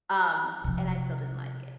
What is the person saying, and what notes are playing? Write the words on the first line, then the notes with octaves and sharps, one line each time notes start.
Um, and I still didn't like it.
C3 F3